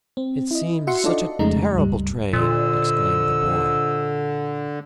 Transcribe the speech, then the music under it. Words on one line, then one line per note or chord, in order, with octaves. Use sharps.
"It seems such a terrible trade!" exclaimed the boy.
C4
E4 D#5
F#4 E5 F#5 C6 C#7
D4 D#4 F4 A4 D5 D#5
F2 C#3 G#3 A3 D#4 A#5
C#2 G2 G3
A#2 D3 C5 D#5 E6